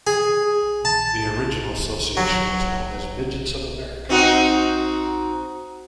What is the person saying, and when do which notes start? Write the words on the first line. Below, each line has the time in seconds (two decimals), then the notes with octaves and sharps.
The original association was known as Midgets of America.
0.07 G#4
0.85 A5
2.17 F#3
4.09 C4 D#4 F#4